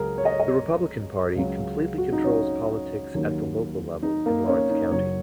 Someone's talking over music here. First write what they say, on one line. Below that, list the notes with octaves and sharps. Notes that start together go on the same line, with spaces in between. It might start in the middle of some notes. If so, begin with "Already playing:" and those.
The Republican Party completely controls politics at the local level in Lawrence County.
Already playing: C#2 C#3 F#3 G#4 A#4
C#5
D#5
C#5
D#5
C#5
C#2 C#3 F#3
F#4
D#4
C#4
D#2 D#3 F#3
D#4
A#3
C#4
D#4
F#1 F#2 F#3 C#5